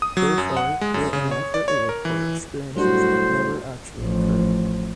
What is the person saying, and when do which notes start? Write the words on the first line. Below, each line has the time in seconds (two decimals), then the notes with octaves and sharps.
Therefore, they inaccurately report experiences that never actually occurred.
0.02 D#6
0.17 F#3
0.38 F#2
0.57 F#5
0.81 G#3
0.94 F#2
1.13 C#3
1.31 C#5
1.54 D5
1.68 C#5
1.89 A#4
2.05 E3
2.76 A2 F#3 G3 D4 F#4 C5
3.97 A1 F3